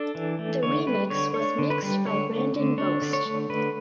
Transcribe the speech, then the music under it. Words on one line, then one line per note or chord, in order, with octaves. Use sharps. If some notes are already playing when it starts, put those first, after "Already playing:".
The remix was mixed by Brandon Bost.
Already playing: D4 A4
E3
A3
D3 C#5
G3 B4
D3 C#5
D4 C#5
D3
B4
G3
D3 C#5
A3
D3
D4 C#5
D3
C#5
A3
D3 B4